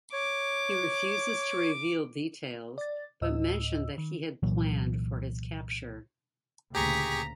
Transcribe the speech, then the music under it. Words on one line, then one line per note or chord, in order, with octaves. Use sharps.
He refuses to reveal details, but mentions that he planned for his capture.
C#5 D6
D5 A6
D2 A2 D#5 E6
D#3
C2 A#2 E3 F#3
D2 A#2 C#3 G4 G#4 A#5 C#6 B6